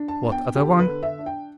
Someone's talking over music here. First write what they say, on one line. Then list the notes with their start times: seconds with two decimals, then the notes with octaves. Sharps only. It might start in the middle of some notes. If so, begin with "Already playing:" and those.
"What other one?"
Already playing: D4
0.08 A5
0.25 B3
0.32 G5
0.55 D3 G4
0.79 B4
0.87 D3
1.03 E5
1.19 D4
1.26 G5